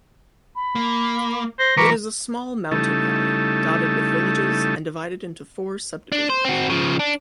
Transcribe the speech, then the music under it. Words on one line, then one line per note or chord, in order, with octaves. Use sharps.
It is a small mountain valley, dotted with villages and divided into four sub-divisions.
B5
A#3
C5 A#6
E3 F#3 A#4 B4 C#6 D6
C#3 G3 A3 D#4 E4 A4
D4
C5
C4 F#4
C#3 F3
D4